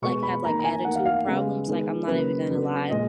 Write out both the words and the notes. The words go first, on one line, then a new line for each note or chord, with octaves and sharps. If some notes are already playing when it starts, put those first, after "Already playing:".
like, have, like, attitude problems, like, I'm not even gonna lie.
B2 G#3 B3 C#6
B5
D#3 A#3 A#5
A#5
G#5
D#3 A#3 F#5
F5
F5
C#3 G#3 B3
D#3 G#3 B3
C#3 F#3 A#3 B4
C#3 F#3 B3
A#2 G#3 D#5